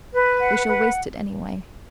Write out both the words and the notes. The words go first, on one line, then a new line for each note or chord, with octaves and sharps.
We shall waste it anyway....
B4
F#5
B4